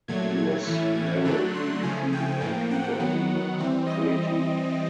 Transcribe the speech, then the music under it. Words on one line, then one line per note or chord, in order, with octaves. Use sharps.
He was narrowly defeated by Peter Li Preti.
A#2 F#3 A3 G#6
G#6
A2 E3 A3 C#4 E4
G#6
D3 F#3 A3 D4 F#6
C6
C#3 F3 A3 G#5
G5
A2 F3 A#3
F#5
D#3 F#3 B3
E3 G3 C4
D#5